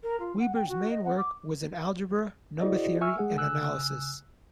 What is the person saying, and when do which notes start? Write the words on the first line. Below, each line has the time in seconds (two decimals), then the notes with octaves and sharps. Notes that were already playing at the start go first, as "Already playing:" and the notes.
Weber's main work was in algebra, number theory, and analysis.
0.03 A#4
0.19 F4
0.39 F#5
0.54 G5
0.68 F#4
0.90 D#5
1.04 F#5
1.17 D6
2.61 E4 F#4 G#4 C5 D5 D#5
3.01 E5 G#5 C#6 E6 F6
3.18 G#3 G#4 F#5
3.36 C#3 G#5 E6 F#6